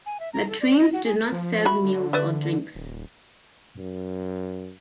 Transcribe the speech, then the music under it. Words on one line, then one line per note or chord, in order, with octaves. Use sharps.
The trains do not serve meals or drinks.
G#5
E5
A#5
A4
D5
D#5
F#4
G#4
F3
F#4 E5 B5
D3
B4 D5 E5
D#1
F#2